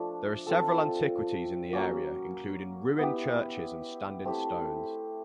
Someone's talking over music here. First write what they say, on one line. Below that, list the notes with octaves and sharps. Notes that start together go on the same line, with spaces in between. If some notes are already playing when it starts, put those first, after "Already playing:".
There are several antiquities in the area, including ruined churches and standing stones.
Already playing: F3 A3 D4 F4
C4 F4 A4
F#3 A#3 C#4
B3 E4 G4
A3 C4 E4 G4